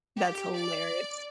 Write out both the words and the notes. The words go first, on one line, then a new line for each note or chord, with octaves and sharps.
That's hilarious.
G4
D5